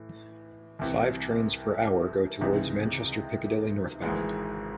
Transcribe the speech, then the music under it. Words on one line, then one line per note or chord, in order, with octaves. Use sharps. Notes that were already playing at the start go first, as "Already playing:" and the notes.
Five trains per hour go towards Manchester Piccadilly northbound.
Already playing: A2 E3
C2 C3 E3
C#2 C3 E3 G#3 D#4
G#1 G#2 E3 G#3